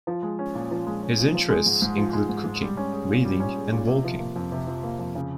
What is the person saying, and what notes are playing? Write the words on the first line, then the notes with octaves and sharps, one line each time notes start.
His interests include cooking, reading, and walking.
F3
G#3
C#4
A#2
F3
G#3
C#4
A#2
F3
G#3
G#2
G#2
F3
G#3
G#2
G#2
G3
C#4
G#4
A#2
G3
C#4
G#4
A#2
C3
F3
A#3
F2
C3
F3
A#3
F2
C#3